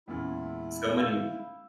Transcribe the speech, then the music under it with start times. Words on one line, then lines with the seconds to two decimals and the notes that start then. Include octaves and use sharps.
so many
0.08 E2 A#2 G#3 A#3 C#4 E4
0.97 F5 E6 G6